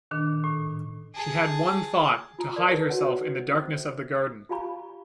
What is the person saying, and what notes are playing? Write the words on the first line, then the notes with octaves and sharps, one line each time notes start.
She had one thought — to hide herself in the darkness of the garden.
A#2 D#3 D4
A2
G#4 A5
F4 A#5 D#6
A#4 D5
D#4 E4 G#4 A#4 B4 D5
F#4 C#5 F#5
C#4 C5 E5
F4 G4 F5 A#5 B5 C#6